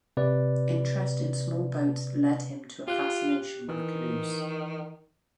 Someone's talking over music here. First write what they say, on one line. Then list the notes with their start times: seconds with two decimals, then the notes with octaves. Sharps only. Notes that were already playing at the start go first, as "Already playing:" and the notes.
Interest in small boats led him to a fascination with canoes.
0.17 C3 B4 D5
2.88 F4 G4 F#6
3.69 D#3 E3